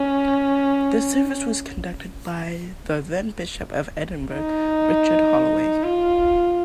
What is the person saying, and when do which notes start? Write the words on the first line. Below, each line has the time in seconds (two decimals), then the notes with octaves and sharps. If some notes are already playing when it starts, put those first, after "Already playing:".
The service was conducted by the then Bishop of Edinburgh, Richard Holloway.
Already playing: C#4
4.34 D#4
5.84 F4